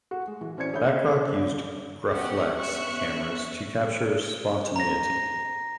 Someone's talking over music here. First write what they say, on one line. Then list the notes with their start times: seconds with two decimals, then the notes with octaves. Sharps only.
Bachrach used Graflex cameras "to capture spontaneity".
0.11 F#4
0.27 G#3
0.41 E3
0.57 E3 C#4 C5 D5 G#6 C#7
0.73 D3 G#4 C#5 E5 B5 G6
2.09 B3 C#4 F#4 G4 F#5
2.55 B3 C#4 E5 C#6 F#6
4.76 A#5 A#6